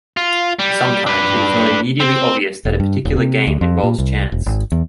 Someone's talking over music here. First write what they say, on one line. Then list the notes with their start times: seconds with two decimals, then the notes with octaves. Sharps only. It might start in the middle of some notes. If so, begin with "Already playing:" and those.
Sometimes it is not immediately obvious that a particular game involves chance.
0.17 F4
0.59 G3
1.06 D4 B4
2.00 C4
2.65 E1
2.80 G2
3.05 D#1
3.17 C3
3.47 D2
3.61 F2
3.83 A#2
3.99 C2
4.32 E1
4.46 G#1
4.72 E2